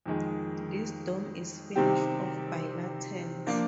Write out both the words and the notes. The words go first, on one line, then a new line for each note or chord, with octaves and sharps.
This dome is finished off by lanterns.
F2 D#3 G#3
C3 D#3 G3 C4 G4
F3 A#3 D4 F4